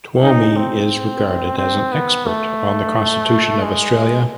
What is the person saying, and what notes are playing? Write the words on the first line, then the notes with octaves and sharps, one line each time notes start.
Twomey is regarded as an expert on the Constitution of Australia.
D#4
C4
C4
B3
A3
G#3